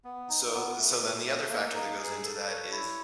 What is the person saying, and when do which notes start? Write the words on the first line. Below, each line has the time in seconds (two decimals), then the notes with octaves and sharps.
So so then the other factor that goes into that is
0.04 B3
0.29 D#4
0.53 B3
0.78 A3
1.01 A3
1.26 A3
1.50 A#3
1.75 D#4
1.98 G#4
2.24 A4
2.48 C#5
2.72 E4